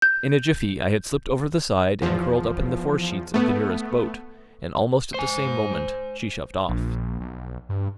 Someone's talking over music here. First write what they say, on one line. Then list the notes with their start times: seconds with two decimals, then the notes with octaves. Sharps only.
In a jiffy I had slipped over the side and curled up in the fore-sheets of the nearest boat, and almost at the same moment she shoved off.
0.02 G6
2.02 E2 F3
3.34 A3 B3
5.14 C5 G#5
6.69 A#1
7.20 B1
7.69 G2